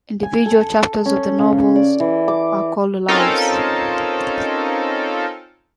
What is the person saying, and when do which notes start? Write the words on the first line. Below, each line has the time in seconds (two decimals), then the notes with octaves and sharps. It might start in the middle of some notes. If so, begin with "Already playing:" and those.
Individual chapters of the novels are called "Lives".
0.23 G#5
0.46 A4
1.06 C#4
1.38 C#3
1.76 D5
2.00 E3
2.28 D6
3.08 C4 C#4 D#4 F4 A4 A#4